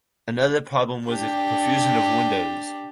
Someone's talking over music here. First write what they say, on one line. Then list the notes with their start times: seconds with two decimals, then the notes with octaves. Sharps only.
Another problem was a profusion of windows.
1.09 D4 G4